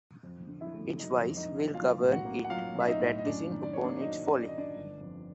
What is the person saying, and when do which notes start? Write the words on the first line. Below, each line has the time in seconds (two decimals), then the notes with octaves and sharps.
Its vice will govern it, by practising upon its folly.
0.23 F2
0.49 D3
0.61 E4 E5
0.74 A3
0.99 F#3 D#4 D#5
1.24 F2
1.37 D#4 D#5
1.49 D3
1.74 B1 F4 F5
2.00 A2
2.12 F#4 F#5
2.25 A#3
2.44 F#5
2.50 F#3 F4 F5
2.75 B1
2.80 E5
2.87 D#4 D#5
3.00 A2
3.18 D#5
3.25 F#2 D4 D5
3.50 D#3
3.63 D5
3.73 A#3 C#5
3.84 D4 D5
4.01 F#3 D#4 D#5
4.26 F#2
4.38 D5
4.48 D#3 D#5
4.58 D4 D5
4.76 G1
5.01 F2